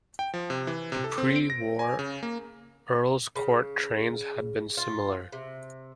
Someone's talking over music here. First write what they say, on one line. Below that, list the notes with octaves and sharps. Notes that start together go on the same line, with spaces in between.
The pre-war Earls Court trains had been similar.
G5
F3
C3
E3
C3
A4
C4
D7
A#6
G#5
C#3
A#3
C#3
F4
C3